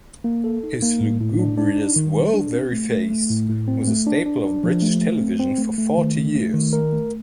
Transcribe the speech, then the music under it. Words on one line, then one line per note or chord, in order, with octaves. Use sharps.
His lugubrious world-weary face was a staple of British television for forty years.
A#3
A4
D#4
A#3
A2
A2
D4
D4
D#4
D#3
G3
D4
C4
A3
A3
A3
A2
A2
C4
A3
D4
D4
D4
F3
A3
A3
C4
C4
A3
A3
D#3
A3
A3
D#3
A#4
A3